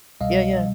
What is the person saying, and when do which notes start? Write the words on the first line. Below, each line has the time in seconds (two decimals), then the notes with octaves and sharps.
Yeah, yeah.
0.20 C2 B2 G3 D#5 F5
0.53 B2 G3